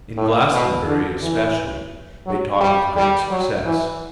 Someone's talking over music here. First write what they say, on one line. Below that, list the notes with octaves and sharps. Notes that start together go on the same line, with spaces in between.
In Glastonbury especially, they taught with great success.
A2
B2
D3
E3
F#3
G3
G3
F#3
E3